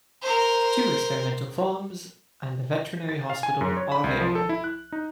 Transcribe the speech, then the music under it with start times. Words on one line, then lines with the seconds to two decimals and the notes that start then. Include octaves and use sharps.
Two experimental farms and the Veterinary Hospital are available.
0.23 A#4 C5
3.09 A6
3.30 F5
3.43 G#5
3.61 F#2
3.77 C#5
3.92 B5
4.04 C2
4.21 F3
4.35 A4
4.49 E4
4.64 F#6
4.92 D#4